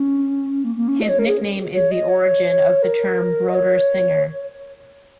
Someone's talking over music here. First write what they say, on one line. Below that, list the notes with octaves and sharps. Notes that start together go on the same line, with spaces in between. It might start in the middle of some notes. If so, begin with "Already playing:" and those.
His nickname is the origin of the term "Broder singer".
Already playing: C#4
A#3
A#3
C#4
D#5
C#5
A#4
G#4
C#5
D#5
C#5
A#4
D#5
C#5